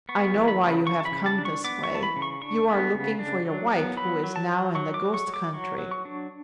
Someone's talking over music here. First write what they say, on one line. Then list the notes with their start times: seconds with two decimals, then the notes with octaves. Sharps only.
I know why you have come this way. You are looking for your wife who is now in the ghost country.
0.09 B3 C#6
0.34 E3
0.48 B5
0.61 C#3
0.86 C#3 C#6
1.00 A5
1.05 B5
1.12 C#3
1.26 A5
1.38 D4
1.45 C#6
1.64 B3 D6
1.84 C#6
1.90 E3 A5
2.03 B5
2.16 C#3
2.22 C#6
2.42 D4 C#6
2.68 B3
2.94 C#3
3.19 D4
3.45 F#3
3.71 B3
3.97 F#3 B5
4.24 F#3
4.36 A5
4.49 F#3
4.75 F#3 C#6
4.94 D6
5.01 F#3
5.14 C#6
5.27 F#3
5.34 D6
5.53 F#3 C#6
5.78 F#3
5.91 C#6
6.05 D4